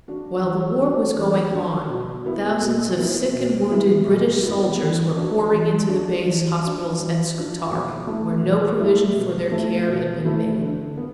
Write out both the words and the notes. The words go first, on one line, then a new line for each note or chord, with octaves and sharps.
While the war was going on thousands of sick and wounded British soldiers were pouring into the base hospitals at Scutari, where no provision for their care had been made.
D4 F#4
E3
D4 F#4
E3
D4 F#4
B2
B3 E4
B2
B3 E4
B2
B3 E4
B2
B3 E4
E3
D4 F#4
E3
D4 F#4
E3
D4 F#4
E3
D4 F#4
B2
A3 E4
B2
A3 E4
B2
A3 E4
B2
A3 E4
D3
B3